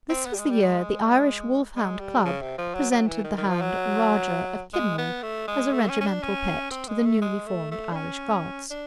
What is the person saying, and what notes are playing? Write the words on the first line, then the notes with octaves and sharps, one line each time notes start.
This was the year the Irish Wolfhound Club presented the hound Rajah of Kidnal as a regimental pet to the newly formed Irish Guards.
C4
B3
G3
G#3
G3
G#3
G#3
G3
C#3
C3
F3
F#3
F#3
E3
D#3
D#3
F3
F#3
G#3
B3
A3
G#3
A3
C#4
C#4
D4
C#4
C4
G#3
A3
G#3
A3
A3
D4
C#4
D4